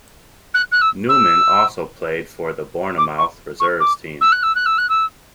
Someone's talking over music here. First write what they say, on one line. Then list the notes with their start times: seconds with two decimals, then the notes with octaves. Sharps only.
Newman also played for the Bournemouth reserves team.
0.54 F#6
0.72 F#6
0.81 E6
1.09 E6
2.98 D6
3.18 C#6
3.60 C#6
3.80 D6
4.21 E6
4.32 F#6
4.43 E6
4.55 F#6
4.66 E6
4.78 F#6
4.89 E6